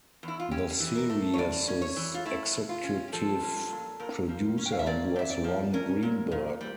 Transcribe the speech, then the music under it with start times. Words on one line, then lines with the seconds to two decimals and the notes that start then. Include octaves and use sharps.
The series' executive producer was Ron Greenberg.
0.23 E2
0.28 E4
0.40 F4
0.51 C#4 G4
0.80 E3
0.95 A#4
1.10 A3
1.34 C#5
1.38 E2 D5
1.68 C#4
1.82 C#5
1.96 E3
2.14 F4
2.25 A3 E4
2.54 E2
2.69 F4
2.84 C#4
3.08 G4
3.12 F3 A4
3.41 C#4
3.70 A#2
4.00 A#2 A#4
4.29 F3
4.58 C#4
4.66 G5
4.72 F5
4.79 E5
4.86 A#2 D5
5.16 A#2 E5
5.30 D5
5.44 F3
5.73 C#4 A#4
6.03 A#2
6.31 A#2
6.61 G3